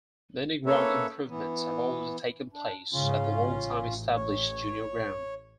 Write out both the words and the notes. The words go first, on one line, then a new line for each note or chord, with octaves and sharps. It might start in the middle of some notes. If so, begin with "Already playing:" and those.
Many ground improvements have already taken place at the long time established Junior ground.
A#3 C#4 A4 B4 C#5 E5
E3 B3
D4
G#2 C#3 C#4 F4
A1
C#5